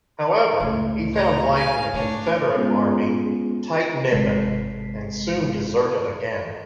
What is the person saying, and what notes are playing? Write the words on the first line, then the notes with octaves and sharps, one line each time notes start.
However, he found life in the Confederate Army "tite nippin" and soon deserted again.
C#2 A2
C#5 A#5
F5 G#5
A2 D4 C#5
G#3 B3 C#4 F4 G#4
G#1 C3 G#3 A4 B6 C7